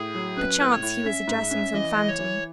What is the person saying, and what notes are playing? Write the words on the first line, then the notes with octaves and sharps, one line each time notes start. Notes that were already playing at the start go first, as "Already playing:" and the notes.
Perchance he was addressing some phantom.
Already playing: A2 G#4
F#3
C#4 B4
A2
C#5
A2
C#4 E5
G#2
C#4
E3 D#5
E3
C#5
E3